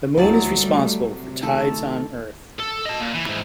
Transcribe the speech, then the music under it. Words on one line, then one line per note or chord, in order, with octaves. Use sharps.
The moon is responsible for tides on earth.
D2 F3 F#3 E4 D5 A5
G3 A3
C3
D#3 A3 A4
A4
D#5 A5
A#2
E3
G#2 E3